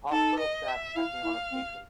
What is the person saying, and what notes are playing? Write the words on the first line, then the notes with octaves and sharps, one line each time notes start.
Hospital staff checking on a patient.
D#4 A4
D#5
E5
E4 F5
E4
C4